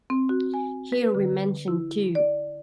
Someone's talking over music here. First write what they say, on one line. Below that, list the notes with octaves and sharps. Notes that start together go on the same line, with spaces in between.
Here we mention two.
C4
F#4
G#5
B4
D3
E4
D5